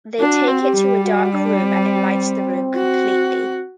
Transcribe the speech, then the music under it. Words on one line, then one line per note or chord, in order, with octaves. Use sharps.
They take it to a dark room and it lights the room completely.
D4 F#4
C4
G4
G3
F#4
D4
C4
F#4